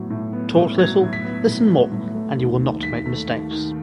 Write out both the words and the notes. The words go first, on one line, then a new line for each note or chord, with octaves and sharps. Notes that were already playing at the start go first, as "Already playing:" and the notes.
Talk little, listen more and you will not make mistakes.
Already playing: A2 F#3 B3
A2
B3
A2
F#3 G#6
A2
B6
B3
A2
F#3
A2
A3
D#2
D#3
D#2 B6
A3
D#2
D#3